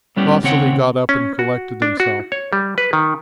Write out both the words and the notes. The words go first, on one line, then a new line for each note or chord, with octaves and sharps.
Vasily got up and collected himself.
A2 G3 B3 C#4 G4
D#2 C#3 C4 C#5 F#5 G5
C#4
F#4
D4
F#4
C#5
G3
B4
D#3